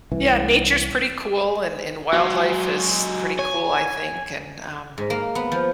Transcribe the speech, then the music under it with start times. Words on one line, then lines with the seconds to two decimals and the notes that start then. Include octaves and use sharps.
yeah, nature's pretty cool and, and wildlife is pretty cool, I think, and, um
0.11 C2 E3
2.13 F#3 G#3 F#4
3.39 C#5 G#5
4.98 G#2
5.10 A#3
5.35 B3
5.52 F3